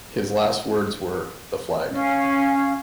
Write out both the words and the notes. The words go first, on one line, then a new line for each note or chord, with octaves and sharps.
His last words were, The flag!
C#4 F5